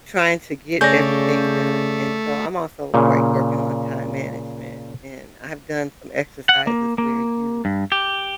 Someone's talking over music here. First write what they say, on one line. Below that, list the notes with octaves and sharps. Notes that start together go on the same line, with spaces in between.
trying to get everything done. And so I'm also, like, working on time management and I've done some exercises where you
C#3 A3 G#4 C#5 D5 G6 A#6
A#2 C#3
F#5
A#3
A#3
G2
G4